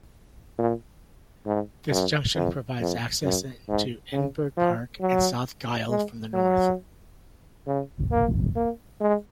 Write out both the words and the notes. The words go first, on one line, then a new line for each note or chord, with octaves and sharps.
This junction provides access into Edinburgh Park and South Gyle from the north.
A#2
G#2
F#2
F2
F2
F#2
G#2
C#3
F3
F#3
G#3
F#3
C#3
A#3
A#3
G#3